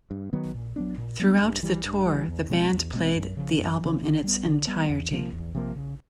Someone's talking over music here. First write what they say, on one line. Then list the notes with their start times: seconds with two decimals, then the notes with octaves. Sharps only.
Throughout the tour, the band played the album in its entirety.
0.11 G2
0.33 D#3 F#3 B3
0.55 A#2
0.76 F#3 B3 D4
0.98 A#2
1.19 F#3 B3 D4
1.41 G2
1.63 E3 G3
1.85 G2
2.06 E3 G3
2.28 E2
2.50 B2 G#3 C4
2.72 E2
2.93 B2 G#3 C4
3.15 F#2
3.37 C#3 F3
3.59 F#2
3.81 C#3 F3
4.02 D3
4.24 G3 B3
4.46 D3
4.67 G3 B3
4.89 E2
5.11 C3 F3 A#3
5.33 E2
5.55 C3 F3 A#3
5.76 C#3